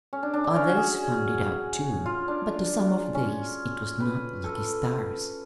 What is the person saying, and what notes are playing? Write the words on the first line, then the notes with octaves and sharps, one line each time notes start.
Others found it out, too; but to some of these it was not "lucky" stars.
C#4
D4
D4
D4
C#4
F#4
G#4
F4
D4
C#4
B4
A4